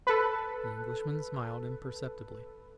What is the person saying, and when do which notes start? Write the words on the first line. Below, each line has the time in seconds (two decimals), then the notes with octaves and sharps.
The Englishman smiled imperceptibly.
0.07 A4 B4